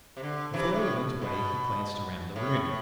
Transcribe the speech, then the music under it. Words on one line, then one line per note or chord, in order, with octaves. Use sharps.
Before he went away, he glanced around the room.
C3
D3
C3 E3
A2
B2
A2
A2